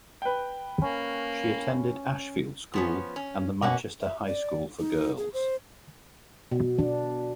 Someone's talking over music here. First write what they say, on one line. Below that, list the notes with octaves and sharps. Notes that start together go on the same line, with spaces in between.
She attended Ashfield School and the Manchester High School for Girls.
B4 G5
A#3 C#4
F3 B3 C#4
C#4
B2 A#3 C#4 F#5
E5
D5
D#4
G#4
C5
B2
D4